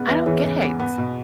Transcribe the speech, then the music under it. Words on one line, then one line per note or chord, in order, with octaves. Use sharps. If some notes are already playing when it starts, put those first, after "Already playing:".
I don't get it.
Already playing: G#2 C#3 B3
E2 B4 E5
E3 G#4 C#5
C#3
B3
B3
B2